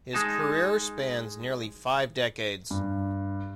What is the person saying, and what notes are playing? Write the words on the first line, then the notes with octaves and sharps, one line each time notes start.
His career spans nearly five decades.
G#3 D#4 A5
G2